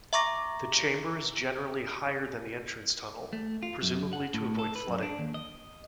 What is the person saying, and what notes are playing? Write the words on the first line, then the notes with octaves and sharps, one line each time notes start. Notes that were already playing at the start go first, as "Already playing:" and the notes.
The chamber is generally higher than the entrance tunnel, presumably to avoid flooding.
E5 A#5 C#6 D6 A#6
A3
F4
F#2
F#5
A2
A4
B4
F#2
D4
D#2
D#5